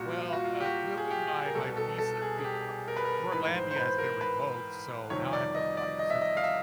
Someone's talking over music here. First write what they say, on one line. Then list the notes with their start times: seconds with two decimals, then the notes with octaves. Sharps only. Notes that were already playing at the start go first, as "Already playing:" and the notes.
Well, uh, clearly my my visa to Your to Yourlandia has been revoked, so now I have to apply for citizenship
Already playing: C2 A#2 F#4
0.22 F4
0.33 F#4
0.45 F4
0.60 G4
0.65 F#4
0.98 G#4
1.11 G4
1.46 A#4
1.55 C2 B2 A4
1.77 A4
1.98 A4
2.22 G#4
2.38 G#4
2.44 G4
2.88 A#4
2.97 B4
3.04 A#4
3.32 A1 G#2 E3 B4
3.54 C5
3.71 C5
3.77 B4
3.98 A#4
4.21 B4
5.10 G1 F2 C3 D#3 C#5
5.33 D5
5.55 D#5
5.77 D5
5.99 D#5
6.10 E5
6.21 D#5
6.37 F5
6.44 E5